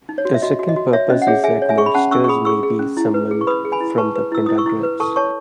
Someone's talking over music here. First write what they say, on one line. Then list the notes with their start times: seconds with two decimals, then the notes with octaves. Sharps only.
The second purpose is that monsters may be summoned from the pentagrams.
0.09 D#4
0.18 C#5
0.25 F#4
0.34 E5
0.42 F#4 D#5
0.59 F#4
0.69 D#5
0.76 F#4
0.93 C#5 E5
1.10 C#4 D#5
1.22 F#5
1.27 G#4 C#5 E5
1.44 G#4 E5 G#5
1.62 C#5
1.69 E5 G#5
1.77 G#4 C#6
1.86 B5
1.94 C#4 F#5 A5
2.11 C#4 C#6 E6
2.24 C#6
2.28 G#4 B5 D#6
2.45 G#4 C#6 E6
2.63 G#4
2.79 C#4
2.97 E4
3.14 B4
3.31 G#4
3.41 C#6
3.47 B4 B5 D#6
3.65 G#4
3.72 G#5 B5
3.81 E4
3.98 B4 A5 C#6
4.16 B4
4.32 E4 E6
4.46 E4 D#6
4.58 C#6 E6
4.66 E4
4.83 B4
5.00 A4 A5 C#6
5.16 C#5 A5 C#6